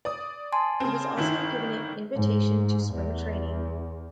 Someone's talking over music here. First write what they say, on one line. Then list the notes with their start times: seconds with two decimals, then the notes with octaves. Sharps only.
He was also given an invitation to spring training.
0.05 D5 D#6
0.52 G#5 A5 C6
0.80 C#3 C4
1.17 G1 D#3 E4
2.15 G#2
2.94 E2